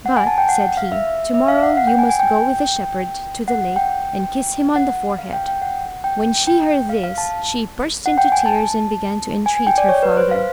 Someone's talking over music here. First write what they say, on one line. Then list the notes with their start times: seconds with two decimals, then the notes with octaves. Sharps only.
"But," said he, "to-morrow you must go with the shepherd to the lake and kiss him on the forehead." When she heard this she burst into tears and began to entreat her father.
0.06 F#5
0.17 G#5
0.27 A5
0.38 G5
0.49 F#5
0.77 F5
0.92 E5
1.34 E5
1.48 F5
1.63 F#5
1.77 F#5
1.87 G5
1.99 G#5
2.09 G#5
2.20 G5
3.48 F#5
3.62 F#5
3.76 G5
4.76 F#5
5.18 F5
5.33 G5
5.48 G5
5.61 F#5
6.04 G5
6.47 G5
6.89 F5
7.04 F5
7.18 A5
8.06 F#5
8.18 G5
8.32 G#5
8.46 A5
9.46 G#5
9.57 G#5
9.67 G5
9.78 D5
9.89 C#5
10.03 B4
10.17 C5
10.31 F5